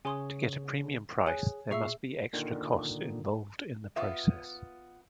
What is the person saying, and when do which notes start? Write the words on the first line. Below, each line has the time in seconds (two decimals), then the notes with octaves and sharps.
To get a premium price, there must be extra cost involved in the process.
0.05 C#3 G#4 C#5 G#5 C6 D#6
1.26 G#4 C#5 G#5 F#6
1.71 A#2 G#4 E5 C#6 E6 C7
2.33 A#2 D3 D#3
3.96 B3 F4 E5